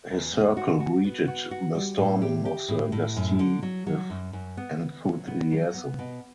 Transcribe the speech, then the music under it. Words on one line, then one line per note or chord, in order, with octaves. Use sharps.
His circle greeted the Storming of the Bastille with enthusiasm.
E2
B3
F#4
F#4
B3
F#4
F#4
G3
A2
G4
G4
A2
A2
F#2
D3
F#3
F#3
F#2
F#2
B3
B3
F#3
B3
F#3
B3
B2